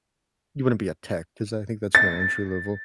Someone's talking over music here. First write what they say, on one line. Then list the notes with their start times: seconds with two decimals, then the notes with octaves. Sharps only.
you wouldn't be a tech 'cause I think that's more entry level.
1.95 A6